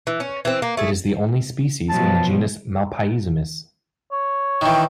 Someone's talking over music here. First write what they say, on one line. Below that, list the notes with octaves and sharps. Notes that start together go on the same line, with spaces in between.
It is the only species in the genus Malpaisomys.
E3
C#4
E3 C4
A#3
A3 G#4
B2 F3 F#3 A5
C#5
D#3 E3 G5